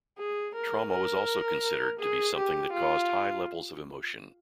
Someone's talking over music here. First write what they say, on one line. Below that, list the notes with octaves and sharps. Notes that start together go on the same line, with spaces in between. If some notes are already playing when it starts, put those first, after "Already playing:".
Trauma was also considered to be something that caused high levels of emotion.
G#4
A#4
A#4
G#4
G4
F4